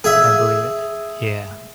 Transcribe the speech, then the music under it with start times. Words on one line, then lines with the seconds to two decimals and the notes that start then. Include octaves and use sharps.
I believe it. Yeah.
0.04 G#4 E5